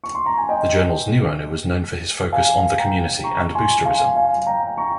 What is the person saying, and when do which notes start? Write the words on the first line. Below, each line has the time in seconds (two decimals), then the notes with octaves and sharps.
The Journal's new owner was known for his focus on the community and boosterism.
0.04 C#6
0.15 C6
0.26 A#5
0.37 G#5
0.49 D#5 G5
2.32 F5 G#5
2.78 G5 A#5
3.24 A#5 C#6
3.55 G#5 C6
3.85 F5 G#5
4.16 F5 G#5
4.47 G5 A#5
4.77 A#5 C#6